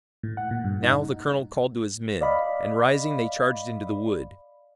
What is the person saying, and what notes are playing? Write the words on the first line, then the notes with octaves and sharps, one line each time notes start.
Now, the colonel called to his men, and rising they charged into the wood.
A2
F#5
A#2
G2
D#4
D5 D#5 F5 B5